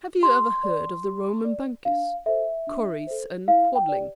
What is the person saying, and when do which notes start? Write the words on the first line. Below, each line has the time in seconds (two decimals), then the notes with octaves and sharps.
"Have you never heard of the Roman bankers, Correse & Quadling?"
0.23 G4 C6
0.63 D5
1.04 G4
1.44 D5
1.85 D4 F5
2.26 A4 C5 E5
2.67 D4
3.07 A4 C5
3.48 E4 F5
3.75 G5
3.89 G4 D5